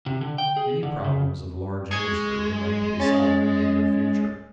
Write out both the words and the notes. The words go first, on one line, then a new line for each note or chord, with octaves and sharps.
Many problems of large industry remain to be solved in the near future.
C3
D3
G5
G#4
D3
C#3
G#3 C#6 G#6
C#4 A6